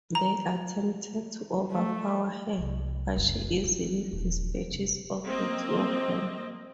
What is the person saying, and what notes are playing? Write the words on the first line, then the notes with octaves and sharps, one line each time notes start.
They attempted to overpower her, but she easily dispatches of the two of them.
A#5
A3
C2
F#1
D#3
D#1
F1
A#3 C4 D#5